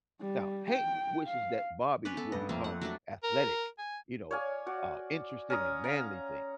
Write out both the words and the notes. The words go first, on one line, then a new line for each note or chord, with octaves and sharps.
Now, Hank wishes that Bobby will become athletic, you know, uh, interested in manly things,
G3
G5
F5
C#4 B4 D5
B3 A4
G2 B3 D#5
F2 A3 A#3 C4
F#5
F#3 A3 D4
A#4
G#5
C#5 D5 F5 G#5
F#4 D5
C#4 A#5 D#6
F5 A#5